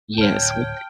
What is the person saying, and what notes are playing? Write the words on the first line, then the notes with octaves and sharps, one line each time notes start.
Yes, wi t
D1 A2 C#5 G5 A5 F6